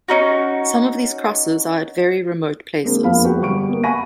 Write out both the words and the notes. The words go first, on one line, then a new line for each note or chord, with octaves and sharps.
Some of these crosses are at very remote places.
C#4 D#4 F#4
D3 G#3 A#3 C4
F2 F3 A#3 B3 F5 B5
G#3 F#4 B4 G5
G1 G4 C#6 D7
A#3 B3
F#5 G#5 B5 C#6 A#6 D#7